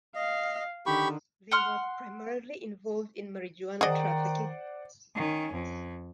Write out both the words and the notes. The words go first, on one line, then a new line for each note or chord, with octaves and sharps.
They were primarily involved in marijuana trafficking.
D#5 F5
D3 D#3 G4 B5 C#6
F#5 C6 F6
D#3 G#4 C5 D5 D#5 F#5
D#3 C#4
F2